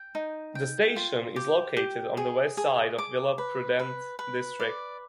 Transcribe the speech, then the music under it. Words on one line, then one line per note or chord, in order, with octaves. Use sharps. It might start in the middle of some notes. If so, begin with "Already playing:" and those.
The station is located on the west side of Vila Prudente district.
Already playing: G5
D#4
G5
F4
G4
G4
G#4
G#4
D6
B4
B4
B4
D5